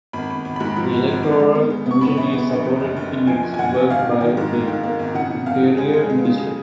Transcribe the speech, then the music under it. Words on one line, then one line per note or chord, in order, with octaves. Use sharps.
The Electoral commission is supported in its work by the Interior Ministry.
G#1 B5
G#1
G#1
G#2 B5
F3
G#1
G#1
G#1
G#3
B3
G#3
B3 C#6
B3 B5
A#1
B3
A#1
F2
F#1
F#1
F#1
F3 G#5
F#1
G#5
F#1 F#5
F#1
G#1 F5
D#3
D#3
G#2
A#3
D#3
A#3
G#1
C#3 F#5
C#3
F2 F5
C#3
G#3 G#4
G#3
G#3
C#3
G#4